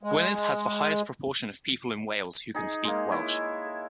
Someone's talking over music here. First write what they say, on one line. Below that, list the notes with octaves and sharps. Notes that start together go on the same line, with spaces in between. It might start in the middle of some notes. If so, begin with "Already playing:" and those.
Gwynedd has the highest proportion of people in Wales who can speak Welsh.
G#3
D#4 G#4
G#3 A#3
E4 C#5